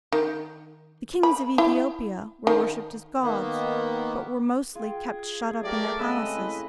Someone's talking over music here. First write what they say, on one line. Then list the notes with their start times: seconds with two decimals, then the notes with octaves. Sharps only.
The kings of Ethiopia were worshipped as gods, but were mostly kept shut up in their palaces.
0.12 D#3
1.23 B5
1.58 E4
2.47 D#3
3.20 D#3 A#3 B3
4.75 F4 G#4 G5
5.62 F#3 A3 F#4 G4 A#4 D5
5.99 C#3 G#3 C4 B4 D#5 E6
6.35 E4